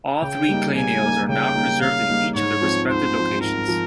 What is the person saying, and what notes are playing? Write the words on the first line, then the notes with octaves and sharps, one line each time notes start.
All three clay nails are now preserved in each of their respected locations.
C#3 G5
G3 A#3 D#4
C#3 G#5
G3 A#3 D#4
C#3 G5
G3 A#3 D#4
C#3 F5
G3 A#3 D#4
G#2 C#5
F3 C4
G#2 C5
F3 C4
G#2 A#4
F3